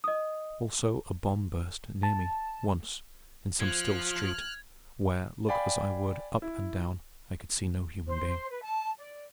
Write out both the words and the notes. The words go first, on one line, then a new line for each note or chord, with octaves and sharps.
Also, a bomb burst near me, once, in some still street, where, look as I would, up and down, I could see no human being.
D#5 D#6
A5
F3 F6 F#6 G#6
D5 F5 G5 G#5 B5
E4
C5
B4
A5
D5